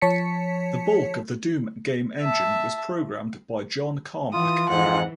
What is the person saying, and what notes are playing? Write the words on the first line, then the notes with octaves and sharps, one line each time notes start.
The bulk of the "Doom" game engine was programmed by John Carmack.
F3 C#5 A5 B6 C#7
E5 A5
E3 F4 D#6
F2 G#2 F#5